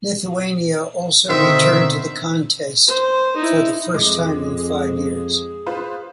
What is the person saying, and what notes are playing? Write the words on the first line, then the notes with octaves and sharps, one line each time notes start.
Lithuania also returned to the Contest for the first time in five years.
B2 D3 D#3 C4 E5
C5
D#4 E4
F2 G#3 G#4 D6
F4 B4 C5